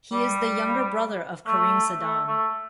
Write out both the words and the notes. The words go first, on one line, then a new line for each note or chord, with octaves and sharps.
He is the younger brother of Karim Saddam.
G3
A3
A3
A3